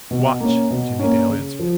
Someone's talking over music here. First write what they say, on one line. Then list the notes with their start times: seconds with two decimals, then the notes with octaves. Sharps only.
"Watch!" Jimmie Dale answered.
0.11 B2
0.40 A#3 C#4
0.70 B2
0.99 A#3 C#4
1.29 C#3
1.59 F3